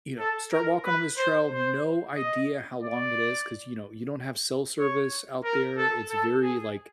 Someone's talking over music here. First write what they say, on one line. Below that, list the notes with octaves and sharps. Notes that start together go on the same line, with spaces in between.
you know, start walking on this trail, no idea how long it is 'cause, you know, you don't have cell service out there. It's very like
A4
A#4
B4
C5
C5
D#5
D5
C#5
A#4
A4
A4
G#4